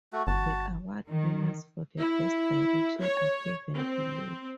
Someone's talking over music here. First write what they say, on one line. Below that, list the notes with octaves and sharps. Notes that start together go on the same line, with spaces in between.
The award winners for Best Direction are given below.
A3 F#4
G1 F#4 A5
D#3
E4
C#5
C4